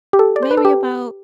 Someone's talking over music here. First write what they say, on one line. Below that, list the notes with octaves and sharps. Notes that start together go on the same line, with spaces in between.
maybe about
G4
A4
D5
C5
B4
A4
G4